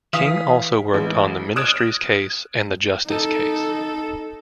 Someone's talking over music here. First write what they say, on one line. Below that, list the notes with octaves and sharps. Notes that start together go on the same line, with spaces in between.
King also worked on the Ministries Case and the Justice Case.
E3 F5 D#6 B6
A1 G#3
D#6 F6 F#6 G#6 D7 E7
D#4 A4